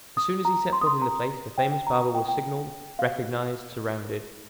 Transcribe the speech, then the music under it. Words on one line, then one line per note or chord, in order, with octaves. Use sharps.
As soon as he set foot in the place the famous barber was signaled, recognized, surrounded.
D#6
A#5
C6
D#6
C6
A#5
G5
G5
A#5
G5
G5
F5